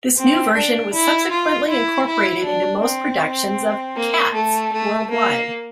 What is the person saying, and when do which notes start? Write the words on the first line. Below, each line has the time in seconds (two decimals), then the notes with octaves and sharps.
This new version was subsequently incorporated into most productions of "Cats" worldwide.
0.17 C4
0.54 D4
0.93 E4
1.31 F4
1.69 E4
2.06 E4
2.44 D4
2.82 C4
3.96 A#3
4.34 A3
4.73 A3
5.10 A#3